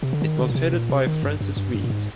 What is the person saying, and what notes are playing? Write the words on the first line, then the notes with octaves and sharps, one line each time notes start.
It was headed by Francis Wheat.
C3
D3
D#3
D3
A#2
C3
A#2
C3
D#3
G2
G2
G2
G2
A#2
G#2